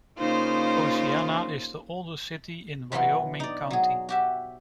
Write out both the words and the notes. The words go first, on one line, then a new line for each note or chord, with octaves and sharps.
Oceana is the oldest city in Wyoming County.
C#3 A#3 D#4 F4 C5
B2 E3 F#3 F#5 C6
D#4 D5
F#3 G#4
F#4 G4 E5